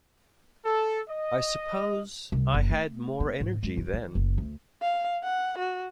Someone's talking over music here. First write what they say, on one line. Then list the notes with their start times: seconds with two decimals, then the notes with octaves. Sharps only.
I suppose I had more energy then.
0.65 A4
1.09 D#5
2.32 C2
2.54 F#1
2.70 A3
3.20 B3
3.40 G#2
3.63 G#3
3.77 F#2
3.93 D#3
4.15 F#1
4.38 D2
4.82 F5
5.24 F#5
5.58 F#4